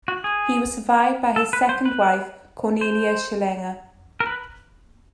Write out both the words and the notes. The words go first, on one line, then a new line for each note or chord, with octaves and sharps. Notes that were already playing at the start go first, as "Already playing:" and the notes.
He was survived by his second wife, Cornelia Schellinger.
F#4
G#4
A4
B4
C5
B4
C5
A#4
B4